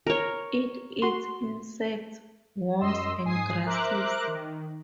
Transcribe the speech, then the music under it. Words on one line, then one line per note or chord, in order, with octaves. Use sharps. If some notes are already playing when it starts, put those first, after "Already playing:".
It eats insects, worms and grasses.
A#4 C#5
F#4 C6
F#2 D#5 C6 E6
G#2 G#5 D#6 C7
A#4 C5 E5 A#5 D6 F#6
D#3